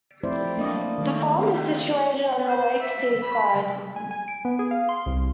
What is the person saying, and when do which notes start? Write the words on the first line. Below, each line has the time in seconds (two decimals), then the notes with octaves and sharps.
The farm is situated on the lake's east side.
0.24 F3 A3 C4 E4 C5 D5
0.57 A#3 D4 D#5
0.98 D#3 A3
1.36 C4 F4
2.48 C5
2.81 E5
3.22 B5
3.96 G#5
4.11 G#5
4.28 D7
4.45 B3
4.59 G#4
4.71 F5
4.89 C6
5.06 C2